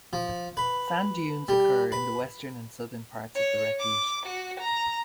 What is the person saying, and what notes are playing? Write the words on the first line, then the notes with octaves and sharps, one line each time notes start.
Sand dunes occur in the western and southern parts of the refuge.
F3
B4
G3
B4
C#5
D6
F#4
A#5